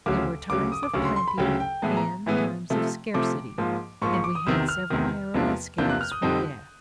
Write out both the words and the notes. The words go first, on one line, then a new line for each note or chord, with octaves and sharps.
There were times of plenty and times of scarcity, and we had several narrow escapes from death.
D2 C#3 F#3 D6
D2 C#3 F#3 D6
D#6
D6
D2 C#3 F#3 C#6
C6
C6
B5
D2 C#3 F#3 G5
G5
A2 E3 G#3 B3 A5
A#5
A2 E3 G#3 B3
C3 F3 A3
C3 F3 A3 D6
G#2 F3 A#3
G#2 F3 A#3 C#6
C#6
D6
D#6
E2 C3 D#3 E6
F6
E2 C3 D#3
E2 C3 F3 A#3 D4
E2 C3 F3 A#3 D4 G6
F#6
F6
D#6
F2 D3 G3 C4 D#4